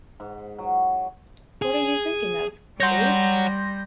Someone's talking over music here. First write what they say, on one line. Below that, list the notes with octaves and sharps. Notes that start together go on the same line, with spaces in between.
What are you thinking of, Jade?
G#2
F#3
G#4
G3 C#5 F#5 C6 G6 A#6